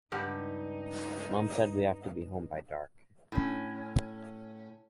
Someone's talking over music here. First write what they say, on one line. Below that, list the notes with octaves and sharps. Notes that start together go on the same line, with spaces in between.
Mum said we have to be home by dark.
C#2 G2 D#4 G4 F#5
A2 C#4